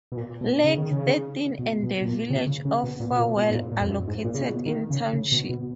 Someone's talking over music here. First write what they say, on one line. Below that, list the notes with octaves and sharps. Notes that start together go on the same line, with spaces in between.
Lake Thirteen and the village of Farwell are located in the township.
B2
A#2
B2
C#3
D#3
C#3
B2
B2
B2
A#2
C#3
C#3
C#3
B2
A#2
B2
A#2
B2
G#2
A#2
A#2
F2
F#2
G#2
A#2
C#3
B2
D#3
C#3
C#3
B2
B2